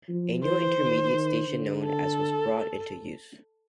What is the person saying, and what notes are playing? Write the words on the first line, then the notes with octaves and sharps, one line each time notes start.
A new intermediate station known as was brought into use.
F3
E3 C5
D#3
D#3
D3
A4